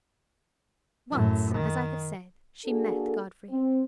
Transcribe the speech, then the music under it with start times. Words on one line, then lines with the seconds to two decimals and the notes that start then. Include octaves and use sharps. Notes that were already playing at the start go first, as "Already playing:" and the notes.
Once, as I have said, she met Godfrey.
1.11 F#2 A2
1.55 D#3
2.65 A#3 D4 F#4 G#4 A4
3.50 C4